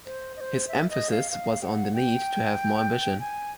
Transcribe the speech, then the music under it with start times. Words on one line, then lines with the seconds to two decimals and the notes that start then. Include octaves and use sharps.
His emphasis was on the need to have more ambition.
0.06 C5
0.37 D#5
0.41 C5
0.68 E5
0.90 D#5
1.11 F5
1.31 F5
1.62 G5
1.65 F#5
1.94 G5
3.20 G#5